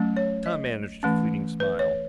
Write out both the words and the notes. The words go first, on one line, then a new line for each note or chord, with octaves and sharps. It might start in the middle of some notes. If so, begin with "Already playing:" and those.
Tom managed a fleeting smile.
Already playing: F#3 A3 C#4
C#5
D#5
E3 A3 C#4
B4
C#5